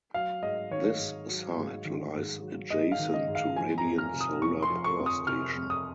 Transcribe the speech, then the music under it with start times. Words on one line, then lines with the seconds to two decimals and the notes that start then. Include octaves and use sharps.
This site lies adjacent to Radiant Solar Power Station.
0.14 F#3 F5
0.42 G#2 D#5
0.71 D#3 C#5
0.99 G#2
1.28 F#3
1.56 G#2
1.85 D#3
2.14 G#2
2.42 F#3
2.70 G#2 D#5
2.92 F5
2.99 D#3
3.14 D#5
3.28 G#2
3.35 F5
3.56 F3 G#5
3.78 A#5
3.85 F2
3.98 F6
4.14 C3
4.21 D#6
4.42 F2 C#6
4.63 C6
4.70 F3
4.84 C#6
4.98 F2
5.06 D#6
5.27 C3 F6
5.56 F2
5.70 D#6